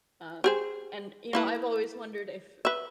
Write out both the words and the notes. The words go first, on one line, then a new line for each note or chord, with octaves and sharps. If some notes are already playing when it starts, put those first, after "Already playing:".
um, and you know, I've always wondered if
G4 G#4 C5
A#3 E4 B4
B4 E5